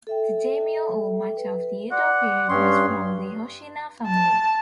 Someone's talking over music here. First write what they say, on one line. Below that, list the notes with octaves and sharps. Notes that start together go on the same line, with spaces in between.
The daimyo over much of the Edo period was from the Hoshina family.
A4 E5 G5
B4
D5 F#5 C6 D6
G2 C#4 G5 C6 C#6 D#6
A5